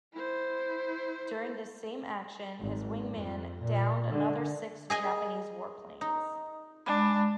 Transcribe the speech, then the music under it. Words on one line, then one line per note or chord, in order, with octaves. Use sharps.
During this same action, his wingman downed another six Japanese warplanes.
E4 C5
G#1
F2
A#2
D3
G#4 D#5 G#5
D#4
G#3 D4 B5